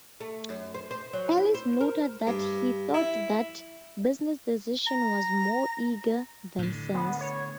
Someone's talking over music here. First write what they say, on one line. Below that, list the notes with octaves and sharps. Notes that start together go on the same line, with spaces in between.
Ellis noted that he thought that business decision was more "eager than sense".
A3
F#2
C5
C5
F#3
E4
C5
A#4
G2
E4
A#5
A2 D3
B3
C#5